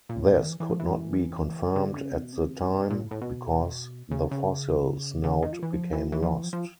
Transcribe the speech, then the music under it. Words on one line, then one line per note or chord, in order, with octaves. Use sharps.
This could not be confirmed at the time because the fossil snout became lost.
A#2
A2
A#2
D#3
E3
E3
F3
E3
F3
E3
C#3
D3
C#3
C3
B2
C3
A#2
A2
A2
B2
C#3
C#3
C#3
D3
D#3
F3
E3
F3
E3
E3
F3
E3
F3
F3